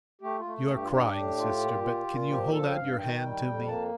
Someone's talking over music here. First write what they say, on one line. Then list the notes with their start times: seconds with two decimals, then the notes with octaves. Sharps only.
"You are crying, sister, but can you hold out your hand to me?"
0.22 A3 G4
0.39 F4
0.45 A3
0.68 G2
0.73 G4
0.83 F4
0.91 D4 G4
1.14 A2
1.38 F4
1.60 A#2
1.84 F4
2.07 A#2
2.29 F3 G4
2.52 F3 A4
2.69 G5
2.76 G2 F5
2.98 D#3 G5
3.22 G3
3.44 F2
3.67 A#3 A5